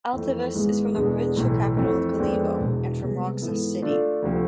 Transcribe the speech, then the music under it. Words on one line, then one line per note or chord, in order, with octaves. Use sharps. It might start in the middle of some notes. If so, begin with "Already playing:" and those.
Altavas is from the provincial capital of Kalibo and from Roxas City.
F2 E3 A3
G#1 G#2 G#3 B3 E4
E1 E2 D3 G#3 B3
B1 A2 E3
F2 E3 A3 C4
F2 D3 G#3 B3 D4
E1 E2 B2
C2 C3 G#3 B3
G#2 E3 B3 E4 A4
D3 A3 D4 F4 A4
D2 C3 F3 A3